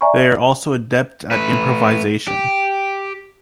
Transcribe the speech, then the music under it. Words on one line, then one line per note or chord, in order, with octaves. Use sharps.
They are also adept at improvisation.
D5 E5 G#5 A#5 B5 C#6
A3 B4
G4